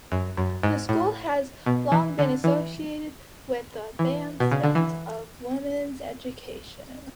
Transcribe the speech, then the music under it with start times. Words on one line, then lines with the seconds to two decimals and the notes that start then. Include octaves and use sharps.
The school has long been associated with the advancement of women's education.
0.12 F#2
0.37 F#2
0.63 G#2
0.89 A2
1.66 B2
1.92 E3
2.19 D3
2.44 E3
3.99 E3
4.40 B2
4.52 C#3
4.63 D3
4.75 E3